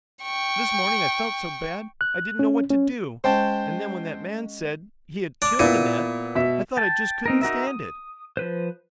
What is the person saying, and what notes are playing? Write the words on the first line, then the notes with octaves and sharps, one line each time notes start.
This morning I felt so bad I didn't know what to do, and then when that man said--he had killed Annette--I thought I just could not stand it.
G5 C#6
F#6
C#4
C#4
G#3 C#4 F#4 C5 G5 A5
D4
A#2 B3 E4 D#7
B2 E5
G5 A5
C4 D#4 A#4
D#4 F#4 A#4 E5
D#6
F3 B4 C5